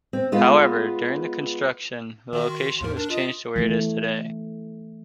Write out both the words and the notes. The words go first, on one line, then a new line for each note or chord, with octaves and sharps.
However, during the construction, the location was changed to where it is today.
C4
G#3 B3 F4 B4
D#3 F#4 E5
C6
D#2 G#2 A#4
D4 A#4
F4 D#5
E3 A3